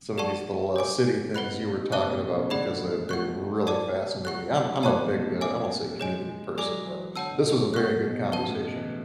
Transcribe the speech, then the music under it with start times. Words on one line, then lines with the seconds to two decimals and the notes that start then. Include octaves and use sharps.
some of these little, uh, city things you were talking about because they they really fascinate me, I'm I'm a big, uh I won't say community person, but this was a very good conversation.
0.18 G#4 D5 F#5 A5 C#6
0.76 C#5 G#5 D6
1.24 C#3
1.34 B2 B4 F#5 B5 F#6
1.52 C#3
1.64 B2
1.84 B2
1.92 C#3 B4 E5 A5 D6 F#6
2.07 A2
2.22 B2
2.37 C#3
2.50 D3 G#4 D5 F#5 B5
2.66 D3
2.80 G#3
2.94 A3
3.09 A3 F#5 C#6 F#6
3.37 G#3
3.67 D5 A5 D6
4.25 F#3 F#5 C#6 F#6
4.83 A2 D5 A5 D6 F#6
4.98 B2
5.12 C#3
5.26 A3
5.41 E5 G#5 D6
5.99 G#3 G#4 C#5 G#5
6.57 F#3 A4 D5 G#5 D6
6.86 E3
7.15 D3 C#5 F#5 A5 E6
7.30 B2
7.45 A2
7.59 B2
7.73 A2 F#5 C#6 F#6
8.03 B2
8.31 C#3 B4 F#5 A5
8.47 A2
8.61 B2
8.76 E3